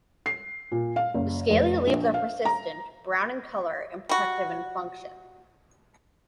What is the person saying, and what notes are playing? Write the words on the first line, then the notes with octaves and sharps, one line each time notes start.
The scaly leaves are persistent, brown in colour and protective in function.
C7
A#2
F5
F#1
F1
A#1
F5
A#5
G3 F#4